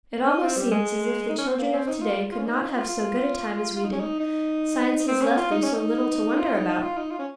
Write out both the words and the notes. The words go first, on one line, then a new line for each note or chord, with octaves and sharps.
It almost seems as if the children of to-day could not have so good a time as we did, science has left them so little to wonder about.
C#4
D#4
C4
G3
G#3
D#4
C#4
C4
A#3
C4
D#4
F4
F4
C#4
D#4
F4
D#4
F4
F4
F4
D#4
C#4
D#4
D#4
C4
C#4
F4
D#4
C#4
D#4
F4
D#4
D#4
F4
D#4
F4
C#4